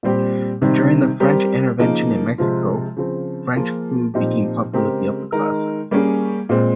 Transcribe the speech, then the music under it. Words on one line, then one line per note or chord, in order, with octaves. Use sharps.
During the French intervention in Mexico, French food became popular with the upper classes.
A#2 G3 C4 G4
C3 D#3 G3 C4
G3 C4 G4 A#4
C#3 F3 A#3 D#4 A#4
C3 F3 G#3 C4 F4
C#3 F3 C4
F3 A#3 F4 G#4
A#2 F3 C4 D#4 G4
C#3 G#3 C4 G4 A#4
D#3 G#3 D#4 A#4
G3 A#3 C#4 G#4
A#2 G#3 C4